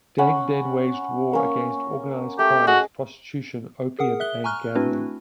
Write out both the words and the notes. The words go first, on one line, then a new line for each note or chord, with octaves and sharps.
Deng then waged war against organized crimes, prostitution, opium and gambling.
C#4 F#5 B5
A#3 C#4
A3 G4
F#4 G#4 D#5
G#4 A#4 F#5 D#6
E5 F#6 G7
G#5 A#5 C#6 F6 F#6
A3 C4 D4 E4 F#4 B4